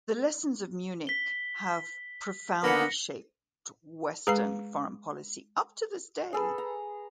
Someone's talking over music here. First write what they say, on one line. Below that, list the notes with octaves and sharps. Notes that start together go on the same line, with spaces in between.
The Lessons of Munich have profoundly shaped Western foreign policy up to this day.
B6 G7
D3 A#3 B3 A#6 C#7
G#3 G#4 B4 A#5 C7
G#4 A4 B4
A#5